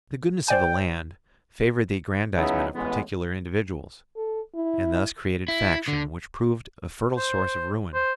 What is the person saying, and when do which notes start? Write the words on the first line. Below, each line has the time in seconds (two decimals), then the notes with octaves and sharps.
The goodness of the land favoured the aggrandizement of particular individuals, and thus created faction which proved a fertile source of ruin.
0.48 C5 D5 G5 G#5
2.37 C#3 F#3 B3 D#4 E4 G#4
2.74 A1 G#3 B3
4.17 A4
4.55 E4
5.48 E4
5.88 D3
7.17 C5
7.94 C5